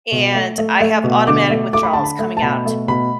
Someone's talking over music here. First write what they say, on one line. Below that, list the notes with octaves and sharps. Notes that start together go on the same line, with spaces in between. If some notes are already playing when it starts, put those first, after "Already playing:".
and I have automatic withdrawals coming out
B2
A3
A3
A3
B2
D3 D6
A3
A3 D6
B5
D3 A5
B5
A3
A5
B2 B5
A3
B2 B5